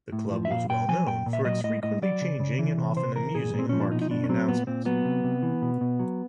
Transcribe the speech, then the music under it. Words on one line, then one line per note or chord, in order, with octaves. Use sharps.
The club was well known for its frequently changing and often amusing marquee announcements.
A2
F3
E5
A#2 F5
A#2 G5
F3 G#5
A#2 G5
A#2
E5
F#3 D#5
A2 D#5
A2 D#5
F#3 D5
C#3
C#3
E3
C3
C3 C5
E3 A#4
A#2 G#4
A#2
C4
F3 C#4
D4
B2 D#4
D#4
B2 D4
C#4
F#3 C4
A#2 B3
A#2 C4
F#3 B3
C3
C3
E3
B2
B2
F#3